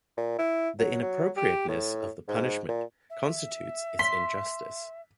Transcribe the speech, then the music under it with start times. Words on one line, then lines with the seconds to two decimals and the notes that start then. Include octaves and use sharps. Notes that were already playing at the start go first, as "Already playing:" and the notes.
The inappropriateness of the punishment constitutes its injustice.
0.17 A#2
0.39 E4
0.79 F#3
1.02 F#3
1.37 G4
1.69 A2
2.28 G#2
2.69 A#2
3.10 E5
3.99 C6 B6